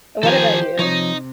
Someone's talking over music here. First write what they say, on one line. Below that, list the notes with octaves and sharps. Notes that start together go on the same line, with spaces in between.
And what about you?
D#3 F3 G4 A4 C5 G#5
C3 F3 D#4 C#5